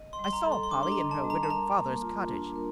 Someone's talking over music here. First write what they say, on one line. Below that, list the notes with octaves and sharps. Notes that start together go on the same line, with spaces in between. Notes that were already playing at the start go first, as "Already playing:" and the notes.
I saw Polly in her widowed father's cottage.
Already playing: D#5
C6
G3
C6
A#5
A4
C6
C6
D4 D6
C6
A#5
D#5
A5
G3
A#5
A5
A#4 A#5
A#3
F4
D4
A#4